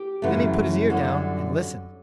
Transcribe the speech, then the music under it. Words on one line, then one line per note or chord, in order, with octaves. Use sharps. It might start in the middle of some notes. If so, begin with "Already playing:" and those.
Then he put his ear down and listened.
Already playing: G4
F#2 C#3 E3 A3
F#2 D3 G3